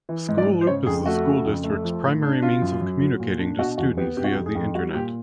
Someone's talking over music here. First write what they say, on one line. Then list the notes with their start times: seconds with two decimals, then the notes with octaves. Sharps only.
SchoolLoop is the school district's primary means of communicating to students via the Internet.
0.09 E3
0.29 G#2
0.38 D5
0.47 G#2
0.61 C5
0.67 C#3 C#5
0.86 F2 G#4
1.06 A3 F#4
1.25 C#3
1.45 F2
1.64 A3
1.84 F3
2.03 A2
2.22 D4
2.42 C#3 F4
2.62 F#2
2.81 F#2
3.00 F#3
3.20 A#2
3.39 D4
3.58 B2 F#4
3.78 E2 F#4
3.97 B3 G4
4.17 C3 G4
4.24 F#4
4.32 G4
4.36 F2
4.46 G#4
4.55 F2
4.75 G3 F#4
4.95 A#2 G4